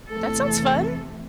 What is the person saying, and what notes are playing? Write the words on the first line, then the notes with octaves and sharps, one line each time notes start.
That sounds fun.
E2 C3 E3 A3 A4